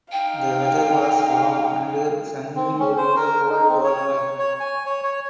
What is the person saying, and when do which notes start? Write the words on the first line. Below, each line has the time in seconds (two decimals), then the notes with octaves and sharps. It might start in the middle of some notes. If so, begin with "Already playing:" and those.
The whether was warm and sunny during the whole tournament.
0.12 D#4 F5 G5
2.56 C4
2.79 C#4
2.97 C5
3.16 A#4
3.49 D#4
3.68 C4
3.84 C#5
4.39 C#5
4.60 G#5
4.86 C#5
5.03 C#5